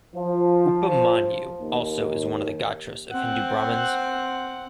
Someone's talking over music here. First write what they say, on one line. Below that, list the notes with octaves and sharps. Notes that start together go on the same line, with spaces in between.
"Upamanyu" also is one of the gotras of Hindu brahmins.
F3
D#2
C4 F#5